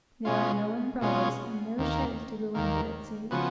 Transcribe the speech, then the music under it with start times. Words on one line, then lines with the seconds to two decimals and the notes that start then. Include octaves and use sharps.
There are no umbrellas, and no sheds to go under, at sea.
0.25 B2 G#3 C#4 F4
1.02 B2 G#3 C#4 F4
1.78 D#2 D#3 A#3
2.55 D#2 D#3 A#3
3.31 C#3 F3 B3 F#4